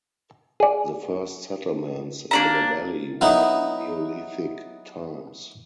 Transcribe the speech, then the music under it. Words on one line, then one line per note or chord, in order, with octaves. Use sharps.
The first settlements in the valley were in Neolithic times.
G#4 D5
A#3 D4 A#5
F#3 B3 D#4 E4